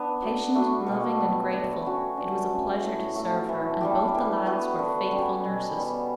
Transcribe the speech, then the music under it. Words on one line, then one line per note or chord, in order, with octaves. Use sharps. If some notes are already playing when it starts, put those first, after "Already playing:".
Patient, loving, and grateful, it was a pleasure to serve her, and both the lads were faithful nurses.
Already playing: B3 D4
F#3
A3 D4 F#4
B2
G3 B3
D3
F#3 C#4 F#4
D3
A3 C#4
A2
F#3 A3
E3
G3 D4 G4
E3
B3 F#4
D3
G3 C#4
B2
G3 B3